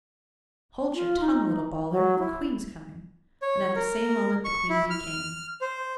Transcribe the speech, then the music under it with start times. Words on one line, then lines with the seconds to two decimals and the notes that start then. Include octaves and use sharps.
"Hold your tongue, little bawler! The Queen's coming." And at the same moment the Queen Bee came.
0.95 F4
1.21 D#4
1.91 F#3
2.19 E4
3.42 C#5
3.76 A#4
4.45 C#6
4.69 E4
4.90 F6
5.61 C5